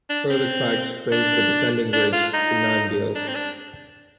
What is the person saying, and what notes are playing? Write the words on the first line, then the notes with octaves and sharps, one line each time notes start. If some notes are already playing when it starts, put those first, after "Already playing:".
Further crags fringe the descending ridge to Nan Bield.
D4
C4
D4
D4
F4
D#4
D4
C4
D4